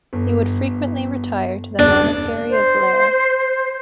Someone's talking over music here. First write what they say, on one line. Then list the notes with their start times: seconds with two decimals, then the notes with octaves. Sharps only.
He would frequently retire to the Monastery of Leyre.
0.13 G1
1.79 E1 C#3 D4
2.50 C5